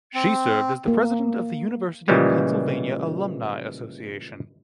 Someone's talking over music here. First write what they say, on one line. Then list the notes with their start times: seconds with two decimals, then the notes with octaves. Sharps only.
She served as the president of the University of Pennsylvania Alumnae Association.
0.14 C4
0.88 A#3
2.08 A#2 C#3 E3 F3 G3 G#3